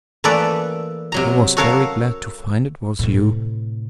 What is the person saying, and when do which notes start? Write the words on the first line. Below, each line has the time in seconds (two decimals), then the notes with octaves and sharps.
I was very glad to find it was you.
0.24 E3 A3 A#3 A4 B4 D5
1.12 C3 F#3 A#5
1.57 F#4 A4 A#4 C#5 F5
2.99 A2 C3